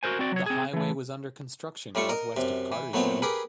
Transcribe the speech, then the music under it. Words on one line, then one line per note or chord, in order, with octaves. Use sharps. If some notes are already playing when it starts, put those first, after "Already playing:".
The highway was under construction northwest of Cartersville.
F#4 A4 A#4 C5 G#5
C4 F#4 D5
F#3 C#5
C4 G#4
E3 A3
A2 G3 A3 F4 C#6
A#4 D#5 A#5
F#2 C3
E3
A#2 F#3 A3 B3 C4
G4 G#4 A#4 B4